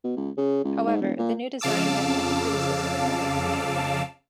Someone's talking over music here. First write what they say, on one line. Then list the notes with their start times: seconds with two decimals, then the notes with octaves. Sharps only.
However, the new design met with criticism from their community.
0.04 B2
0.17 C#2
0.37 C#3
0.64 C#2
0.87 G#2
1.01 E1
1.18 A#2
1.61 F2 C#3 F5 A5 D6 E6